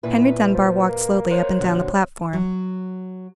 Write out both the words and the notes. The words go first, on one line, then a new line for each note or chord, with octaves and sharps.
Henry Dunbar walked slowly up and down the platform.
A#2 E3 B4
F3
A#3
C5 C#5
A#2 D3 F#4
F#3